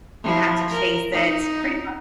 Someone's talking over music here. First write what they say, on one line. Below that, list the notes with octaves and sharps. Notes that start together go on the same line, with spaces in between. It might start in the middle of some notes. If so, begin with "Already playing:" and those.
you have to chase it pretty much
F3 E4
A#4
D#4